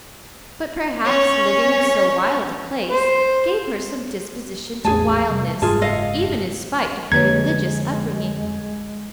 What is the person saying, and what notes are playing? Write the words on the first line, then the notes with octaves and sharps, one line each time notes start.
But perhaps living in so wild a place gave her some disposition to wildness, even in spite of her religious upbringing.
C#4 C#5
C5
A1 E2 A3 G#4 G#5 A5
C3 G3
F#1 G#2 F4 G#4 A5
A4 D#5 F5
F2 D3 G#3 A#3 B4 C#5 G#6